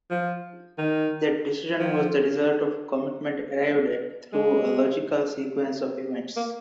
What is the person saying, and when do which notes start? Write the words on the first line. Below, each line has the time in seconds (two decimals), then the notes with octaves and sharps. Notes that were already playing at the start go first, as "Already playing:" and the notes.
That decision was the result of a commitment arrived at through a logical sequence of events.
0.11 F3
0.79 D#3
1.80 F3
4.33 G#3
6.37 A#3